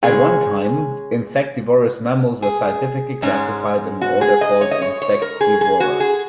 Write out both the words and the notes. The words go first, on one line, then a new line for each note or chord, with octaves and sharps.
At one time, insectivorous mammals were scientifically classified in an order called Insectivora.
C#3 G#3 C#4 G#4
G#4
G#2 G#3 C#4
F#4
G#4
D#5
C#5
D#5
C#5
C#5
A#4
G#4
G#4
F#4
G#4